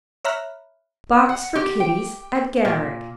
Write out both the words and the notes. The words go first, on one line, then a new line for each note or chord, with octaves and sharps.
'Box for kiddies at Garrick.
C#5 E5 A#5 B5 F6 F#6
F#5
G4
G5
A#2